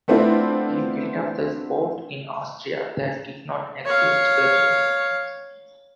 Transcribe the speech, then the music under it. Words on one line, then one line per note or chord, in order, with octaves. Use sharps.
He built up the sport in Austria that did not exist before.
A3 B3 C4 D4 E4 F4
C#5 F5